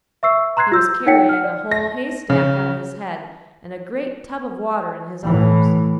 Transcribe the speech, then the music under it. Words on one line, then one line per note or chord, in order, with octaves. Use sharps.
He was carrying a whole haystack on his head and a great tub of water in his arms.
E5 C#6 E6 C7
A#5 C6 F#6 G#6 C7
F4 E6 G6
D#4 C#5 F#5 G5 B6 C#7
F#5 F6
D5
A#6
C#3
A2 E3